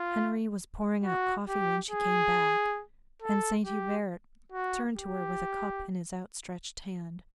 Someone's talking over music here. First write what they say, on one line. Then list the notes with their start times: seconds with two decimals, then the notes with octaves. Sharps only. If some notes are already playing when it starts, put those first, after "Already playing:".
Henri was pouring out coffee when she came back, and Saint Hubert turned to her with a cup in his outstretched hand.
Already playing: F4
1.04 F#4
1.48 G4
1.91 G#4
3.22 A4
3.66 G4
4.52 F#4
4.96 G4